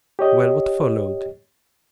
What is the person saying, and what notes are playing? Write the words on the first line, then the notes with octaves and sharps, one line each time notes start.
"Well, what followed?"
G4 C#5 D#5